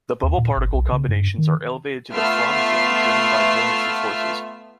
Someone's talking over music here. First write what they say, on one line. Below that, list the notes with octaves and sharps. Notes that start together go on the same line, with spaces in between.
The bubble-particle combinations are elevated to the froth zone driven by buoyancy forces.
D#2
A#2
G1
B1
C#3
G2
D#3
A3 B3 F4 E5 F6 C7